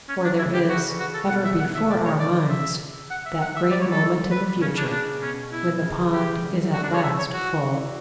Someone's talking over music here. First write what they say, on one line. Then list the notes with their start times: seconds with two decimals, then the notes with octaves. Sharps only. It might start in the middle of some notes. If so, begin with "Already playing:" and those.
For there is ever before our minds that great moment in the future when the pond is at last full.
0.09 C#4
0.24 D4
0.39 C#3 E4
0.54 D3 G4
0.69 C#3 F#4
1.00 F#4
1.14 A4
1.30 B2 F#5
1.45 E5
1.59 F#5
1.75 E5
1.90 D5
2.05 C#5
2.20 C#3 D5
2.50 E5
3.11 F#5
3.26 E5
3.41 F#5
3.56 E5
3.63 G3
3.71 F#3 D5
3.81 C#5
3.86 E3
3.91 A4
4.02 D3
4.31 B4
4.55 B2
4.61 C#3 C#4
4.77 D4
4.91 D4
5.22 B2 C#4
5.53 E4
5.82 C#3
6.13 G4
6.43 D3
6.52 G3
6.63 F#3
6.73 D3 F#4
6.83 D4
6.87 C#3
6.93 C#5
7.03 E3 E5
7.18 C#5
7.34 F#4
7.64 D4
7.73 E4
7.83 F#4